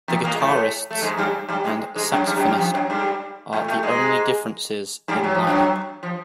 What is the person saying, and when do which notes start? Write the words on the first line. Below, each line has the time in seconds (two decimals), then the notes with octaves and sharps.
The guitarists and saxophonist are the only differences in line-up.
0.08 E2 E3
0.24 A#2 A#3
0.34 G#3
0.40 A2 A3
0.91 A3
1.02 G#2 G#3
1.17 G2 G3
1.49 G2 G3
1.64 G#2 G#3
1.95 G#2 G#3
2.12 F#2 F#3
2.27 G2 G3
2.37 F#2 F#3
2.48 G2 G3
2.58 F2 F3
2.74 F#2 F#3
2.90 G2 G3
3.53 A2 A3
3.68 A2 A3
3.83 G#2 G#3
5.08 G2 G3
5.24 F#3
5.35 F3
5.47 F#2 F#3
6.03 F3